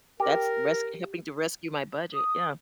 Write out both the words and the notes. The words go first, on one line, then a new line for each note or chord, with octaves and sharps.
That's res helping to rescue my budget, yeah.
G4 A#4
D#6